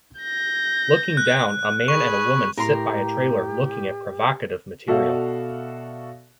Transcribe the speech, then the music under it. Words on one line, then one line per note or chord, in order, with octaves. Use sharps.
Looking down, a man and woman sit by a trailer looking at provocative material.
G6 A#6
F#6
G#4 B5 C#6
A2 G4 A#4 A#5 C6
B2 F#4 A4 D5 E5 F5